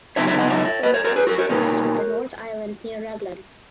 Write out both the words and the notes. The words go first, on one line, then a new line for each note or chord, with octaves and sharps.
She grew up on the west coast of the North Island near Raglan.
C#3 F#3 B3 D#4 C#5 E5
C#5 E5
D#5 F#5
C#5 E5
B4 D#5
A#4 C#5
A#4 C#5
G#4 B4
F#4 A#4
A#4 C#5
B2 A#3 D#4 A#4 C#5